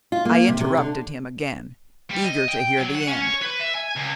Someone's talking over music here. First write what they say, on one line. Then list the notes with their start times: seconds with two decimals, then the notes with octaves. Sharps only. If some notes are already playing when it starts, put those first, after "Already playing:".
I interrupted him again, eager to hear the end.
0.12 F4
0.25 A#3
0.48 C3
0.60 C3
0.77 D3
2.10 G3
2.24 D#5
2.49 G5
2.78 F#3
2.95 F#5
3.08 C#4
3.22 C#5
3.42 B4
3.60 E5
3.74 G#5
3.96 C#2